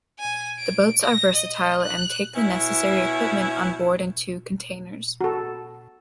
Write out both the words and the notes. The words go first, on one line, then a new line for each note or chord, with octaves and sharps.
The boats are versatile and take the necessary equipment on board in two containers.
G#5
D7
A#6
D#5
F#6
B2 C#4 E4
F#4 A4